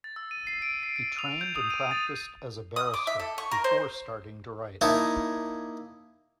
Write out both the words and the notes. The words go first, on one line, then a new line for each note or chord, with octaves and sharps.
He trained and practiced as a barrister, before starting to write.
A6
E6
D#7
C7
D7
C7
C7
F7
G6
D#6
D#7
A6
D#6
D6
E5
A4
C#6
A#4
C5
A#3 D#4 E4 C#5 A5